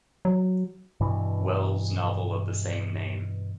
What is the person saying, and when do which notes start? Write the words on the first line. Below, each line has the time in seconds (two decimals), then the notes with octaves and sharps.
Wells novel of the same name.
0.25 F#3
1.00 G2 B2 E3